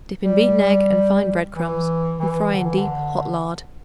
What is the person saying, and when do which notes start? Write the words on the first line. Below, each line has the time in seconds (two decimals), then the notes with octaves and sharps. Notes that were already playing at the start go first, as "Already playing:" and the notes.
Dip in beaten egg and fine bread-crumbs and fry in deep hot lard.
0.24 G3
1.55 E3
2.20 E3
2.53 D3
2.66 E3
2.78 D3